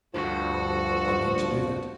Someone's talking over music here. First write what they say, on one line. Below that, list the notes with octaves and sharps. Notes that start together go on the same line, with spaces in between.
'I mean to do that.
D2 G2 F3 F#4 A4